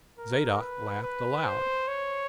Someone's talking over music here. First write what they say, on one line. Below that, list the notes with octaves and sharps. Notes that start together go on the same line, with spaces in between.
Zadok laughed aloud.
A#4
B4
B4
C5
C#5